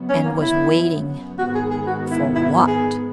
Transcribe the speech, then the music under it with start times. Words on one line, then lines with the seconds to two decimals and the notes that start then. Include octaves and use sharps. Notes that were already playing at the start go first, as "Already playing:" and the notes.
And was waiting--for what?
Already playing: F#2 C#3 F#3 B3
0.10 C#4
0.26 A#3
0.42 E4
1.39 G#2 D#3 G#3 B3 F#4
1.55 G#4
1.71 G#4
1.87 F#4
2.11 E4
2.36 E4
2.68 G#4